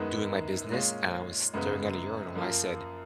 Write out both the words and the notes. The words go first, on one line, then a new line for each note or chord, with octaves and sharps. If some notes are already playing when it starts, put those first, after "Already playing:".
doing my business, and I was staring at a urinal, and I said,
Already playing: F#2 D#3 G#3 B3
A#2 G#3 C#4 F4
F#2 C#3 G#3 B3
F#2 F3 A#3 F4